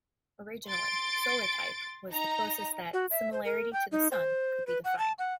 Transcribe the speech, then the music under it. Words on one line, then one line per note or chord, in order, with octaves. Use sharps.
Originally, solar-type was the closest that similarity to the Sun could be defined.
C6 A6 D7
D#4 A#5
F#4
E5
C5
A#4
G5
D#4
C5
B4
F#5
A5
F#5